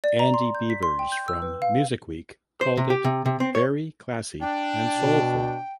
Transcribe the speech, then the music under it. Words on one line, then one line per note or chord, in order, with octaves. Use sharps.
Andy Beevers from "Music Week" called it "very classy and soulful".
D5
A#5
C6
G6
B6
C6
G5
G6
E6
B4
F5
C5
C3
G4
C3
C3
C4
C#5
D4 G5
B2